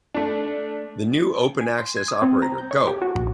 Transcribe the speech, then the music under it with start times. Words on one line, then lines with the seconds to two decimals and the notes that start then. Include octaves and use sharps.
The new open-access operator Go!
0.14 A3 D4
1.61 G#5
1.79 C6
1.97 G#6
2.08 D#6
2.22 C4
2.42 A#5
2.58 G6
2.71 C#5
2.87 G4
3.02 F#4
3.15 A#1